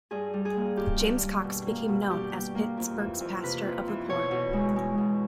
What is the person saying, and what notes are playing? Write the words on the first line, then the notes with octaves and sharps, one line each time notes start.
James Cox became known as Pittsburgh's "Pastor of the Poor".
G2 G#4
G3
G#4
A#3
D#3 G4
G2
G3
B2
A#3
B2
G3 G4
B2
A#3
F2
E3
F2
C3 B4
F2
E3
B2 C#5
B2
G#3
G#3
B2